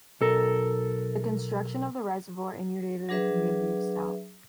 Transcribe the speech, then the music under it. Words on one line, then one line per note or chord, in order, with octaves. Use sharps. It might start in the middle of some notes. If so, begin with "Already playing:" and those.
The construction of the reservoir inundated the community of Stout.
B1 A4 A#4
F#3 D4 G#4 B4 E5